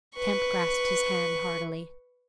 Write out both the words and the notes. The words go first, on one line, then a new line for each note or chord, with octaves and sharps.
Kemp grasped his hand heartily.
B4 C#6